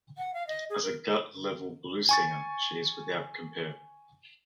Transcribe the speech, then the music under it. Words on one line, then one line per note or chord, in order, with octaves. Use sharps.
As a gut-level blues singer she is without compare.
F#5
F5
D#5
G#4
A#4
G#5 C#6 A6